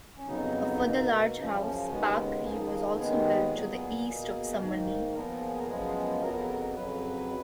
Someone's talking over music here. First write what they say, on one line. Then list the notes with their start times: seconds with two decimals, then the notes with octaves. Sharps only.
A further large house, Park View was also built to the east of Summerlee.
0.17 C#4
0.27 F2 C#3 F#3 B3 D#4
0.81 B2 A#3
1.35 F#2 C#3 F3 D#4
1.44 C#4
1.61 C#4
1.89 D#2 C#3 G#3 B3
2.43 D#2 C#3 F3 A#3 G#4
2.98 D#2 D#3 G#3 B3 G#4
3.51 A#2 F#3 B3
4.06 B2 A#3
4.60 G#2 D#3 A#3
5.13 A#2 F3 B3 A#4
5.40 G#4
5.58 A#4
5.67 F#2 F3 G#3 B3 G#4
6.21 F2 C#3 F#3 B3 A#4
6.75 F2 C#3 F#3 B4